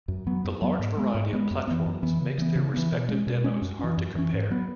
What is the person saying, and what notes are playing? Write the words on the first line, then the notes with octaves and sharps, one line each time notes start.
The large variety of platforms makes their respective demos hard to compare.
F#2
F#3 B3
F#2
F#3 B3
G#2
G#3 B3
G#2
G#3 B3
F#2
E3 B3
F#2
E3 B3
C#3
E3 B3
C#3
E3 B3
B2
G#3 C#4
B2
G#3 C#4
F#2
E3 C#4
F#2
E3 C#4
G#2
F#3 B3